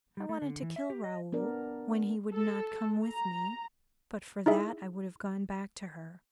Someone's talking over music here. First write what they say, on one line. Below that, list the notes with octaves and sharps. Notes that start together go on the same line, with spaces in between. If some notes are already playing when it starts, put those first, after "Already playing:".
I wanted to kill Raoul when he would not come with me, but for that I would have gone back to her....
G3
A3
D3
E3
E5
G4
D#5
B3 D4 A#4 D5
A4
A#5
D#4 E4 G#4 E5